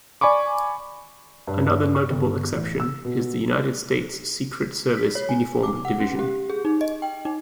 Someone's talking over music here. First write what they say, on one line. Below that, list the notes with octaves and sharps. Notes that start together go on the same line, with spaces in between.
Another notable exception is the United States Secret Service Uniformed Division.
D5 G#5 B5 C#6 D6
G2
G2
C#6
G1
A1
E6
B2
B6
C#5
G#5
D6
F#5
C#4
G4
G#4
D#4
D#5
G5
D#4